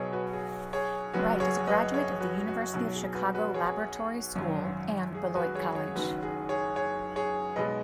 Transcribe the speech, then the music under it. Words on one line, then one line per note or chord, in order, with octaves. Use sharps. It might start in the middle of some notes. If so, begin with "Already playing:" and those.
Wright is a graduate of the University of Chicago Laboratory School and Beloit College.
Already playing: B1 B2 F#3 G#4 B4 C#5 D#5
F#4 B4
G#4
G#4 C#5
F#1 F#2 F#3 F#4 B4
G#4 C#5
B4 D#5
G#4 C#5
F#4 B4
F#4
B1 B2 F#3 F#4
G#4
F#4 B4
F#4 B4
G#4 C#5
G#1 F#2 F#3
G#4
F#4 B4
G#4 C#5
G#4 C#5
F#1 F#2 D#3 F#3 F#4 B4
G#4
G#4 C#5
G#4 C#5
G#4 C#5
B1 B2 G#3 B3 B4 D#5